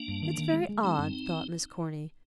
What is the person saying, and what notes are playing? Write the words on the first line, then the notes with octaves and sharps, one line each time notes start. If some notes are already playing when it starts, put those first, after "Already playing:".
"It's very odd," thought Miss Corny.
Already playing: A#3 D4
G2
D#3
D#3
G#3
G#3
G#3 C4 D#4
G2